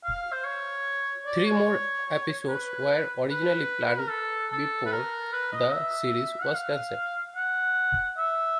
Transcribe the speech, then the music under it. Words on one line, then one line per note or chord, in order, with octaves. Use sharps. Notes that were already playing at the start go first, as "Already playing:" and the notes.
Three more episodes were originally planned before the series was canceled.
F5
C5
C#5
D5
C#5
B4
B4
B4
A#4
A4
A4
B4
A#4
B4
D#5
E5
F#5
F5
F#5
E5